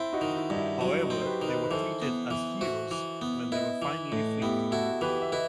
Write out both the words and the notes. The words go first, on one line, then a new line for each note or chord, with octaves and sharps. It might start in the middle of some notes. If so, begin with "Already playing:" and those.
However, they were treated as heroes when they were finally freed.
Already playing: C4 E4
D#4 F#4
D#3
E4
G2 D#4
E4
F#3
D#4
C4
C5
G4 B4
D#3
B4 D#5
B4
E3 A4 C5
B3
E3
F#4 C5 E5
E3
B3
E4 B4 D#5
E3
A2
B3 E4 G4
E4 F#4 A4
E3 G4 B4
E5
E4 B4 D#5